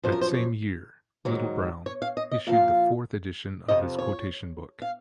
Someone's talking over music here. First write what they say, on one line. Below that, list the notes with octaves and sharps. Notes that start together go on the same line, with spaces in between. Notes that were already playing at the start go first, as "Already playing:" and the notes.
That same year, Little, Brown issued the fourth edition of his quotation book.
F#2 F3 C5
A#4
C5
C#5
G#2 D#3 F#3
C#5
F5
D#5
D#5
A#2 F3 F5
F2 C3 F3 D#5
C#5
F5